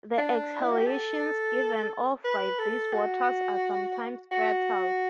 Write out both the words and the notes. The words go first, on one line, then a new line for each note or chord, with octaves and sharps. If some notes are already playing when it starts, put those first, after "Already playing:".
The exhalations given off by these waters are sometimes fatal.
D4
E4
F#4
G4
A4
B4
A4
F#4
F#4